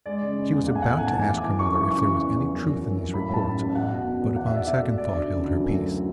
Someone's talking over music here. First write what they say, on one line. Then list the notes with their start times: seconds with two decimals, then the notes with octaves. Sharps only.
She was about to ask her mother if there was any truth in these reports, but upon second thought held her peace.
0.06 G#3 D5
0.22 C#3
0.37 C#3
0.52 E2
0.67 A3 F#5
0.75 G#5
0.82 A2 F#5
0.98 A3 G#5
1.07 A5
1.14 E3 G#5
1.29 E3 D6
1.43 E3 D6
1.59 F#2 C#6
1.75 E3
1.91 C#3 C#6
2.05 E3
2.21 E2
2.37 E3
2.52 F#2
2.67 F#2
2.82 F#2
2.98 F#2
3.13 A2 B5
3.29 A2 A5
3.45 A1
3.60 A1
3.74 E2 F#5
3.90 B2
4.05 B2
4.21 E2
4.36 E2 F#5
4.46 E5
4.51 E2
4.56 D5
4.66 B2 E5
4.82 A3
4.98 A3 D5
5.13 D2
5.28 C#3
5.44 D2
5.59 F#2
5.74 A3
5.90 E3